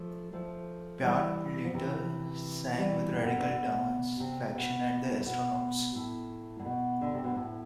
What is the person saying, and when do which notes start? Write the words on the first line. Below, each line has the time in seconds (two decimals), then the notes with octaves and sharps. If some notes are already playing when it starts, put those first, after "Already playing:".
Byatt later sang with Radical Dance Faction and The Astronauts.
Already playing: F3 A3
0.33 F3 A3
1.03 E3 G3
1.65 F3
1.74 C3 E3
2.78 E3 G3
3.14 C3
3.25 B2 D3
3.37 B2 D3
3.50 B2
4.20 C3
4.55 B2
5.20 A2
5.25 B2
5.95 A2
6.59 A2
6.65 B2
7.01 D3
7.14 C3
7.24 B2
7.36 A2